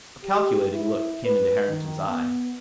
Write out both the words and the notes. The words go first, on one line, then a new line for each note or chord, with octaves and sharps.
A calculating look came into Harrington's eye.
G4
E4
B4
D#3
B3